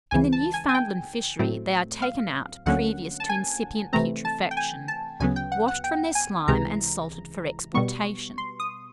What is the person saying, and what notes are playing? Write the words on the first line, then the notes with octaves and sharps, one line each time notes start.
In the Newfoundland fishery they are taken out previous to incipient putrefaction, washed from their slime and salted for exportation.
C#2 C#3 E3 G#5
A5
G#5
G#5
G5
A2 F#3 A3 C4
F5
D2 D3 F#3 A#3 C#4 F#5
A5
G#5
C3 E3 A3 C4 A#5
A5
G5
G#5
A5
D2 C#3 F#3 B3 G#5
G5
F#5
F#5
G5
G#5
C#2 C3 E3 G#3 A#5
B2 G3 B3 C#6
C6
D#6